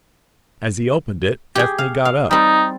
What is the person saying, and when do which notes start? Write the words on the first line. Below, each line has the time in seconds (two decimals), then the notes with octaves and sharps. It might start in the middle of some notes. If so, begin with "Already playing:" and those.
As he opened it, Ethne got up.
1.55 G4 G#4
1.78 F5
2.05 F5
2.31 G3 C4 D#4